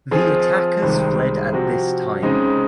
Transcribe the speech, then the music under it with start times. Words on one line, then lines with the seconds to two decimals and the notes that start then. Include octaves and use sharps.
The attackers fled at this time.
0.11 F3 C4 F4 G#4
0.82 C2 C3 D#3 G#3 C4
1.53 C3 F3 C4 F#4
2.22 C#3 G#3 C4 D#4